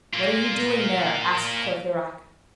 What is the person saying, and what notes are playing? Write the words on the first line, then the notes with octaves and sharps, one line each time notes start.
"What are you doing there?" asked Courfeyrac.
A#3 F4